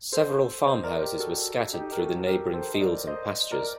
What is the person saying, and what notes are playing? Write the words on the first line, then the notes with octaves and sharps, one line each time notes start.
Several farmhouses were scattered through the neighbouring fields and pastures.
A4 C5
C5 D#5
A#4 D5
G4 A#4
F#4 A4
D#4 G4
A#4
F#4 A4
G4 A#4
A4 C5
D#5
A#4 D5
C5 D#5
A#4 D5